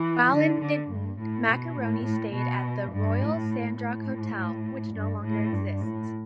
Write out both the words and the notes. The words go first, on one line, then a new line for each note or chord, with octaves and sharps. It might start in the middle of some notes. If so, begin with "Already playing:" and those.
While in Niton, Marconi stayed at the Royal Sandrock Hotel, which no longer exists.
Already playing: E3
D3
D3
G2
A2
B2
A2
A2
B2
G2
A2
A2
G2
A2
G2
A2